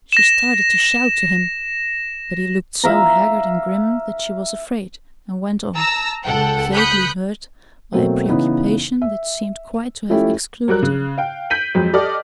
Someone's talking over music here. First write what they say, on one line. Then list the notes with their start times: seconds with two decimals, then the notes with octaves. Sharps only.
She started to shout to him, but he looked so haggard and grim that she was afraid, and went on, vaguely hurt by a preoccupation that seemed quite to have excluded her.
0.12 A#6 E7
2.84 E5 F5 A#5
5.74 A5 A#5 E6 A#6
6.24 C#2 A4 F#5 G5
6.74 B5 D#6 F#6 G6 B6 C#7
7.93 B2 F#3 A3 A#3 C4
8.28 C#3 E3 B3 D#4
9.02 E5
10.09 F3 A3 C#4 E4 G4
10.68 F#3 G3 A#4 F#6
10.83 C#3
11.18 F5 G5
11.50 G6 B6 D7 D#7 F#7
11.74 F2 F#3 G#3
11.93 G4 A4 D5 D#5 F6